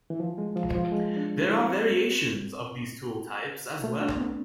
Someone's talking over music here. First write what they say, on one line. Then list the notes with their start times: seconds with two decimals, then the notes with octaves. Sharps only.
There are variations of these tool types as well.
0.10 E3
0.20 F3
0.38 G#3
0.56 F3
0.75 F3
0.92 G#3
1.17 D4
1.41 E4
1.65 C4
3.84 A3
4.01 D4
4.16 B3
4.20 C4